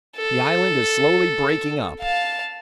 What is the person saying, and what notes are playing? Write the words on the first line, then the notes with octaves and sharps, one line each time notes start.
"The island is slowly breaking up."
A4
F5 A5